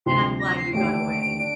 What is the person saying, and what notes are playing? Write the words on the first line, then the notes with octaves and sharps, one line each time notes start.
And I'm glad you got away.
D2 C3 F3 C4 G4 C6
A#6
C7
D#2 D3 A3 D4 G4 D7
D4